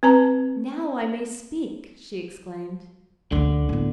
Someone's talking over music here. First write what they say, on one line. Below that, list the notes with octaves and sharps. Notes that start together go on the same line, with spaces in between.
"Now I may speak!" she exclaimed.
C4 B4 A5 A#5
D2 D3 C#4
A2 B3